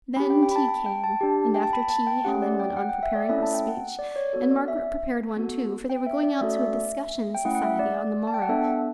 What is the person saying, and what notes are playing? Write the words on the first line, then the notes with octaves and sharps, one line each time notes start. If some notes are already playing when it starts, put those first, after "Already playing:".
Then tea came, and after tea Helen went on preparing her speech, and Margaret prepared one, too, for they were going out to a discussion society on the morrow.
C#4 G4 B5
G5
G5
B5
A5
A5
G5
A5
D4 G4
G5
A5
B5
A5
G5
A3 C#4 G4 F#5
D5
G5
F#5
G5
E5
D5
A3 C#4 E4 A4 E5
A5
G5
F#5
D5
C#5
B3 F#4 A4
D5
E5
B3 F#4 A4
G5
E5
D5
A3 C#4 F#4 A4 E5
D5
E5
G5
A3 C#4 E4 F#5
F#5
E5
D5
A5
G5
F#5
B3 D4 A4 E5